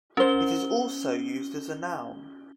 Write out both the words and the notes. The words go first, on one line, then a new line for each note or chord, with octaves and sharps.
It is also used as a noun.
C#4 A#4 C5 G7